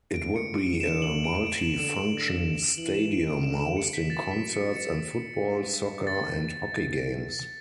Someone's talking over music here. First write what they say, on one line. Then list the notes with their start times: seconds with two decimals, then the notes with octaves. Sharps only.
It would be a multi-function stadium, hosting concerts and football, soccer, and hockey games.
0.14 D3 D7
0.36 C#7
0.58 D7
0.80 D3 E7
1.02 F#7
1.24 D7
1.47 D7
1.58 F#7
1.63 E7
1.79 D3 E7
1.96 F#7
2.13 D3
2.78 E3 F#7
2.94 E7
3.11 D7
3.28 D7
3.43 D3 E7
3.60 E7
3.77 C#7
3.93 B6
4.10 F#2 A6
4.31 B6
4.53 C#7
4.76 C#7
5.42 G2
6.07 A6
6.73 F#2
7.06 E2